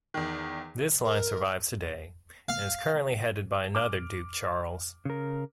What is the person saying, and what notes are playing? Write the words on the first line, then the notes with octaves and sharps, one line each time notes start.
This line survives today, and is currently headed by another Duke Charles.
E2 D#3
A#4
F5
D6 F6
C#3 A#4